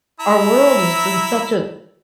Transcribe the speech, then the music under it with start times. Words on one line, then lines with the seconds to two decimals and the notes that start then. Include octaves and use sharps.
our world is in such a i
0.20 E4 A#5 E6